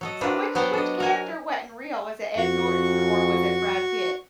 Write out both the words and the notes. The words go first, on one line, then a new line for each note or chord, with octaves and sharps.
So which which character wasn't real? Was it Ed Norton, or was it Brad Pitt?
F#3 A4 D#5
C4 D4 A#4 B4
F#3 B3 C5 F#5 G5 A5
D4 D#5
A#4 G#5
F2 F#4 C#6